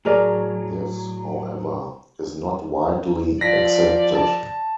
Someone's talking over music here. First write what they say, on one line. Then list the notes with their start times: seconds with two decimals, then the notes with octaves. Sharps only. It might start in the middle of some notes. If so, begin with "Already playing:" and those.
This, however, is not widely accepted.
0.05 A2 F#3 G#4 A#4 D5
3.41 F3 D5 A#6 B6
4.15 A5